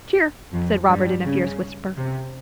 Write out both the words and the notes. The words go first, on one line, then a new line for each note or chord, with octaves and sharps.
'Cheer,' said Robert in a fierce whisper.
F2 F3
G2 G3
C#3
C3